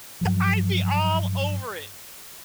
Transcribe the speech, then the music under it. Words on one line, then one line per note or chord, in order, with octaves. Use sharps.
I'd be all over it.
G2 F3 F#3